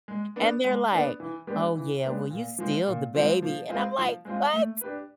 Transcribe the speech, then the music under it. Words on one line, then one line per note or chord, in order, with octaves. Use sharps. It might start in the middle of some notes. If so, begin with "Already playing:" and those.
And they're like, "Oh yeah, well, you still the baby,” and I'm, like, "What?
G#3
B3 D4
G#3
B3 D4
E3
G#3 B3 D4 G4
E3
G#3 B3 D4 G4
A#2
F3 G#3 C4
A#2
F3 G#3 C4
F3
G#3 C4 F4 G#4
F3
G#3 C4 F4 G#4
A3
D4 G4 B4